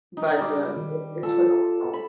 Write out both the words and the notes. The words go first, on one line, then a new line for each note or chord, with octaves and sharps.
but, um, it it's phenomenal.
D#4
G3 D6
D#3
F4 A4
B5